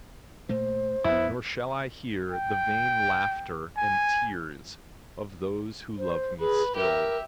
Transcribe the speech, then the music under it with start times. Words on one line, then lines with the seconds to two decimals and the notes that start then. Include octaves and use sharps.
Nor shall I hear the vain Laughter and tears of those who love me still.
0.49 A#2 A3 A#3 C5
1.04 F2 B3 E4
2.32 G5
3.77 G#5
5.98 C5
6.40 G#4 B4
6.76 G4 A#4 E5